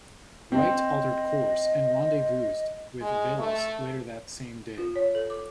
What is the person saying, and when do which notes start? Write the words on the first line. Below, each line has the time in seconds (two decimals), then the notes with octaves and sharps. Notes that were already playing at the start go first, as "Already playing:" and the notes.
"Wright" altered course and rendezvoused with "Velos" later that same day.
0.52 C4 D#5
3.01 G#3
3.38 A3
4.78 F4
4.96 C#5
5.15 A4
5.30 D6